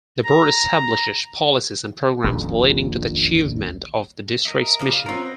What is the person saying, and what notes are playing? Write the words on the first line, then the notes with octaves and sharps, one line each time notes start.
The Board establishes policies and programs leading to the achievement of the District's mission.
A#5
D#1 A#1 F2
A#4 D#5 E5
C#3 F3 A#3
F5
C4 C#4 F4 F#4 A#4
B4 D#5